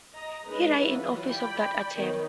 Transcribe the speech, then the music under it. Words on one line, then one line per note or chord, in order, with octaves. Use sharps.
He died in office of that attempt.
D#5 A#5
G#3 C#4 D#4 B4
E3 F#3 F4 B4
D5 G5 B5
D#3 B3 D#4 C#5